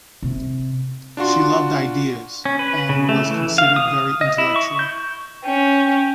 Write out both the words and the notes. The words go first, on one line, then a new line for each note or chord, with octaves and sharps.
She loved ideas, and was considered very intellectual.
C3
D4 F4 F#4 C6
C#4
B4
C#3
A3
E3
F5
D#6
D#5
E4
C#6
G6
C#4 G5